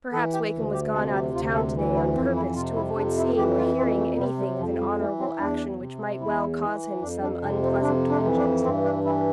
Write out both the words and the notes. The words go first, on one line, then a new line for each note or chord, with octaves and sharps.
Perhaps Wakem was gone out of town to-day on purpose to avoid seeing or hearing anything of an honorable action which might well cause him some unpleasant twinges.
E3 A4
G4
D2
G4
C3 A4
G4
D2 F4
A4
E3
E4
F2 C4
E4
C3 F4
E4
F2 D4
E4
E3 G4
F4
F2 C4
A3
C3 G3
G3
F2 F3
G3
E3 A3
C4
E2 D4
C3
E2 E4
E3
F2 D4
D4
C3 D4
C4
F2 D4
D4
E3
D4
G2 C4
D4
E3 E4